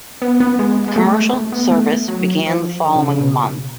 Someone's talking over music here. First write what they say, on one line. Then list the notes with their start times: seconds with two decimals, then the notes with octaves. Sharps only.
Commercial service began the following month.
0.22 B3
0.40 B3
0.59 G#3
0.88 G#3
0.96 A3
1.34 A3
1.52 B3
1.71 A3
2.08 F#3
2.46 F3
2.84 D3
2.96 C#3
3.08 C#3
3.21 B2